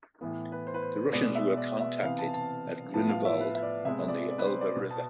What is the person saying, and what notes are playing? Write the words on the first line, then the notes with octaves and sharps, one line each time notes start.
The Russians were contacted at Grunewald on the Elbe River.
A2 E3 B3
B4
C5
B4
C5
B2 G#3 B3 D5
E5
D5
E5
C3 E3 B3 F5
A5
A5
A2 F3 B3 A5
F5
E5
B4
E5
D5
C3 G#3 B3 E5
D5
D5
B4
C5
D5
B2 B3
A5